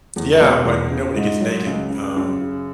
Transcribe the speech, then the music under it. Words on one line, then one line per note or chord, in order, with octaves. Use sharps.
Yeah, but nobody gets naked. Um
E2
B2
E2
C#3
G#2
F#3
C#2
C#3
F#2
C#3